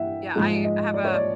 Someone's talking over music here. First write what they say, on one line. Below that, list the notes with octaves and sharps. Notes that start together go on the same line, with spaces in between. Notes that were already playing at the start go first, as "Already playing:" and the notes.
Yeah, I I have a
Already playing: G2 E3 G3 E5 F#5 G5
G#2 F3 G#3
D#5
D5
C#5
D5